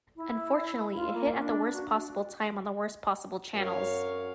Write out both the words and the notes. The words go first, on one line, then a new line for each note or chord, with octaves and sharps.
Unfortunately it hit at the worst possible time on the worst possible channels.
E4
F4
A#3
D4
F#4
F#2 F#3 C#5 F5